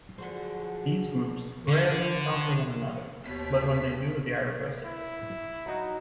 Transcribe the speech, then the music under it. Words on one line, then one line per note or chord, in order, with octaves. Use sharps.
These groups rarely encounter one another, but when they do, they are aggressive.
D3 F3 F#3 F#4 G#4 C5
D3
D#2 B2 C5 C#5 A5 B6
E4
F#3 D#4 F#4